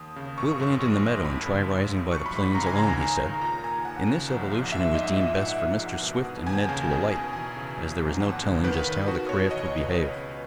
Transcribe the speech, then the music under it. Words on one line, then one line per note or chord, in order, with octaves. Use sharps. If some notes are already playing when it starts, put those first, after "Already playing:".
"We'll land in the meadow and try rising by the planes alone," he said. In this evolution it was deemed best for Mr. Swift and Ned to alight, as there was no telling just how the craft would behave.
Already playing: D#2 D#6
C#3
G#1 C#6
F#2
G#1
F#2
D#2 B5
C#3
G#1
F#2
A#1 C#6
B5
G#2
B5
C#2 A#5
G#5
C#3 A#5
D#3
D#3
A#2 A#5
A#2 G#5
D#2 F#5
C#3
A#1
G#2
A#1 E5
G#2 D#5
A#2 E5
A#2 F#5
A#1
G#2
B2
B2
D#2 G#5
C#3
B2
B2
E2 G#5
C#3
A#1
G#2
D#2 F#5
C#3
D#3 B4
D#3
B2 F#4
B2 C#5
E2 D#5
C#5
C#3
B4
C#5
C#2 B4
C#3